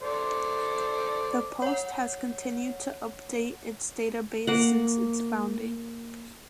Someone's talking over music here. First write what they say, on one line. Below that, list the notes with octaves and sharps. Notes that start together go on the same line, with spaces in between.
The Post has continued to update its database since its founding.
A4 C5 D5
C#5 F#5
A#3 F#5